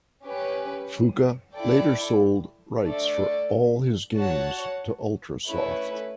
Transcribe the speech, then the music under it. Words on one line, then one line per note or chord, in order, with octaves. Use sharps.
Fuka later sold rights for all his games to Ultrasoft.
C#4 G4 B4
E4 A4 D5 G5
A3 D4 A4 D5
F#4 C#5 F#5 A5
A3 C#4 E4 B4